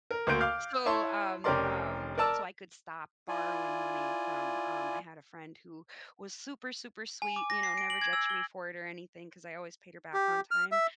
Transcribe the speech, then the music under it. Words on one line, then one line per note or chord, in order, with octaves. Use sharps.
So, um um, so I could stop borrowing money from, um, I had a friend who was super, super sweet, you know, never judged me for it or anything 'cause I always paid her back on time.
A#4
D2 A#3 F#4 C6 G6 D7
F5 D6 F6 G6
E4 C#5 A5 C6
F1 C#4 G4 A#4 D5 C6
A#4 D5 A5 E6
E4 F4 D5 G#5
G#5
D6
A#6
C7
D7
F#7
G#6
E6
G7
G4
F6
E5